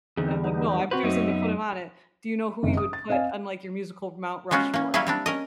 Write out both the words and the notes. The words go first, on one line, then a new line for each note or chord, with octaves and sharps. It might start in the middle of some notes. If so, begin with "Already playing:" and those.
and I'm, like, "No, I'm choosing to put him on it." Do you know who you would put on, like, your musical Mount Rushmore?
E2 D3 C4 D#4 G#4
G3 B3 D#4
C4 F#4 B4 C5
F#2 D#4 E5
B3
F#1 C3 D#3
D#6
A6
C4 D#5 F5 G#5
G#3 B3 C#4 F4 F#4
A#3 C#4
F#3 G3 A#3 C#4 E4 G#4
G3 C4 D4
C#4 A#4 D#5